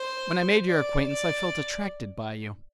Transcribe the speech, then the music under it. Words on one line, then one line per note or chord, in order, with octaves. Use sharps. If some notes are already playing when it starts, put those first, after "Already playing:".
When I made your acquaintance, I felt attracted by you.
Already playing: C5
D5
D5